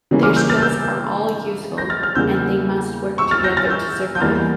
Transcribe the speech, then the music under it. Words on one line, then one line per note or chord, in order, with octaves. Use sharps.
Their skills are all useful, and they must work together to survive.
C#3 E3 G3 A#3 C#4
D6 F6
E6 G6
F6 A6
E6 G6
G6 A#6
F6 A6
F6 A6
E2 C#3 G3 A#3 E6 G6
C#6 E6
F6 A6
G6 A#6
F6 A6
E6 G6
G6
E2 E3 G3 A#3 F6 A6